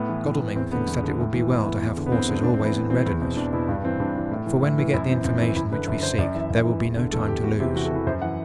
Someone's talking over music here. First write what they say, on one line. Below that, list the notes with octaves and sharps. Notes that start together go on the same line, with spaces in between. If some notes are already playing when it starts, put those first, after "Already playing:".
Godalming thinks that it will be well to have horses always in readiness, for when we get the information which we seek there will be no time to lose.
Already playing: A2 B3
E3
A2
E3
E2 C4
D3 B3
E2
D3
A2
E3
A2 B3
E3
E2
D3
B3
E2 C4
D3
A2 D4
C4
E3
B3
A2 C4
E3 C4
E2 B3
B2 C4
E2 D4
B2 E4
G2 D4
E3 C4
G2 D4
E3
A2
E3
A2
E3
F#2 E4
E3 C4
F#2 C4
E3
F#2 E4
D3 B4
F#2 B4
D3 C5
F#2 D5
E3 E5
F#2
E3
E2
D3
E2 A4
D3 G4
E2 F#4
C3 E3 G4
E2 F#4
A4
C3 E3 B4
F#2 C5
E3 F#5